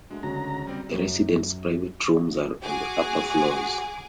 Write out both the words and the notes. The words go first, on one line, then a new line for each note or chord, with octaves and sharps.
The residents' private rooms are on the upper floors.
D2 G#3
D2 C#3 F#3 A#5
G3 C4 D5
F#2
F#4 G#4 G#5 D6